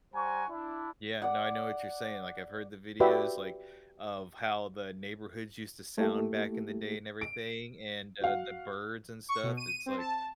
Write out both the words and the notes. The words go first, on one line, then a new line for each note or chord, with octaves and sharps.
Yeah, no, I know what you're saying. Like, I've heard the videos, like, of how the neighborhoods used to sound back in the day and everything and, uh, the birds and stuff, it's like
G3 C5 F#5 G#5 A#5 C#6
D4 E4
D5 F#5
F#4 G4 B4 D5 E5 G5
A3 A#3 E4 G4 A4
D7
F#4 F5 F#5
C#6
B2
D#7
C4
A5